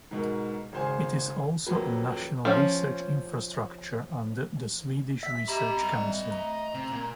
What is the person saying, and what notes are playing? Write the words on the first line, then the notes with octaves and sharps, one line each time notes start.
It is also a national research infrastructure under the Swedish Research Council.
G#2 B2 A#4
G#1 C#3 C5 G#5
D#1 F2 F3 F#3 A#3 B4
F3 C#4
E5 B6
G4 D#5 A#5 B5
G3
A3 A#5
C3
A#2